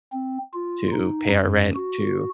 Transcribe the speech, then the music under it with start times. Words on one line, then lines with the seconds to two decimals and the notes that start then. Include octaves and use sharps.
to pay our rent, to,
0.12 C4
0.54 F4
0.92 D#4
1.28 F#2
1.76 F#4